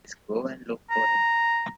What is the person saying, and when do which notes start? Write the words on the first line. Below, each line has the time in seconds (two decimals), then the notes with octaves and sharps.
Let's go and look for him!
0.91 A#5